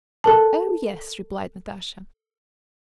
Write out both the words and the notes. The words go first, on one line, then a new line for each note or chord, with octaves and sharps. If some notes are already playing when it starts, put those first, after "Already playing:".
"Oh, yes," replied Natasha.
A4 A#4 A5